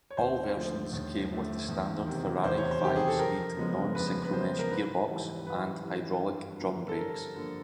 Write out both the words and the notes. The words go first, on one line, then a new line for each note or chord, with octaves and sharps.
All versions came with the standard Ferrari five-speed non-synchromesh gearbox and hydraulic drum brakes.
C#5
D#2 C5
D3 F3 A3
D#2
D3 F3 A3
E2
C3 D#3
E2 C5
C#5
C5
C3 D#3 G4
G#4
A4
F2 A#4
C#3 F3 G#3 B3
F2 B4
B4
C#3 F3 G#3 B3 C5
A#4
G#2 B4
E3 G3
G#2 B4
E3 G3
G2
D3 F3 A#3
A4
G2 A#4
D3 F3 A#3